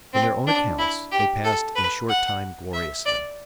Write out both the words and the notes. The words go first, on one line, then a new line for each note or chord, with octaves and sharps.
From their own accounts, they passed a short time gloriously.
C4
D4
E4
G4
A4
B4
F#5
E5
D5